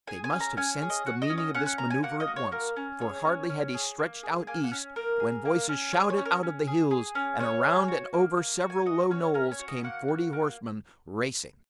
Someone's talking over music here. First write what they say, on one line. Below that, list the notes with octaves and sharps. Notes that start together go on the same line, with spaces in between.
They must have sensed the meaning of this maneuver at once, for hardly had he stretched out east when voices shouted out of the hills, and around and over several low knolls came forty horsemen, racing.
G#4 G#5
G#5
C#4
A#5
C#4 G#5
G#4
D#5
F#4 F#5
D#5
C#4
D#5
C#4 F#5
F#5
F#4 A#5
G#5
A#3 F#5
D#5
F#4
C#5
A#3 A#4
C#4
G#4 C#5
C#4
C#4
G#4
A#3
G#4
A#3 G#5
F#5
C#4
A#3 A#4
G#4
A#3
C#4
G#4 C#5
C#5
C#4
A#4
C#4
G#4
G#4
C#4
C#4 C#5
G#4
F#4
A#3
A#3
F#4
G#5
F#4 D#5
C#4 C#5
C#4 A#4
C#5
F#4
D#5
A#3 F#5
F#4
A#3